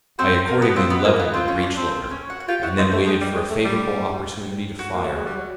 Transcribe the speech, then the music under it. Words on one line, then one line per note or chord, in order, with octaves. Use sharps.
I accordingly levelled the breech-loader, and then waited for a favourable opportunity to fire.
C4 F#4 C5
A#3 A#4
B3 B4
C4 F4 C5
B3 B4
A#3 F4 A#4
B3 F4 B4
C4 F4 C5
C#4 C#5
D4 D5
C4 C5
C4 C5
C#4 C#5
F#4 F#5
F#5
F4 G4 G5
E4 F#4 F#5
C4 D#4 C5
A3 F#4
G#3 G4
G3
G#3
A3
G3
F#4
A#3
A3
G#3
G3
F#3